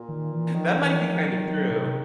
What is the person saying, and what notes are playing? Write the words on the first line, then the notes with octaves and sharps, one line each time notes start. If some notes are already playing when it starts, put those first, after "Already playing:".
That might be kind of true,
Already playing: A#2
D#3
E3
D#3 F3
E3
F3
F#3
F#3
C3